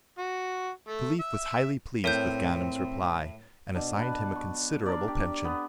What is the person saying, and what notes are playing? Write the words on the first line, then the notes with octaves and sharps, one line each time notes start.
The caliph was highly pleased with Ganem's reply, and assigned him a considerable pension.
F#4
A3
E5
A2 C4 A#4 C#5 G6
B2 D4
B4 A5
C#6
D4 A#4 D5
G4
B3